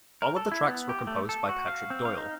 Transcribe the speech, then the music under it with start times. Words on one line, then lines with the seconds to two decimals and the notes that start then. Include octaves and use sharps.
All of the tracks were composed by Patrick Doyle.
0.22 A#4
0.36 A4
0.52 E4
0.68 B3
0.89 G4
1.07 A3
1.29 A4
1.49 F#4
1.68 F5
1.90 C4
2.05 F5
2.17 D#4